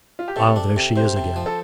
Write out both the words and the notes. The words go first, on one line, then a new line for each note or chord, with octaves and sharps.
Ah, there she is again.'
F4
G4
C3 A4
D4
C3
C3 C5
C3
F3
A4